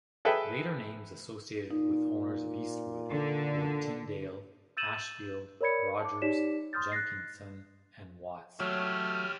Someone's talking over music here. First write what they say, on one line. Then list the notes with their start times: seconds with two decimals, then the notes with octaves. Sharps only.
Later names associated with owners of Eastwood were Tyndale, Ashfield, Rogers, Jenkinson and Watts.
0.25 G#4 A4 B4 E5 G5
1.71 A#2 D#4
3.11 D3
4.77 E6 G6 A6 D#7 E7 F#7
5.61 A#4 C#5 D5 B5 G#6 C#7
6.00 A5 D6
6.22 D#4 G4 C#5 D5 B6 E7
6.73 C6 D#6 F6 G6 A6
6.92 F#6 A6 A#6 C7
8.60 F#3 A3 G4 C#5 F6